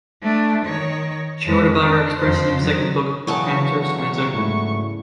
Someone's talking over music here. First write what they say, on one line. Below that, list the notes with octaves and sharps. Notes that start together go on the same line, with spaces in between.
She wrote about her experiences in her second book, "Cancer Schmancer".
A3 D4
D#3 C#5
F2 G#3
D4
F2 C5
D#3 F#3
E2 C#3 E3 F#3 A5 C#6
G#2 A3 E4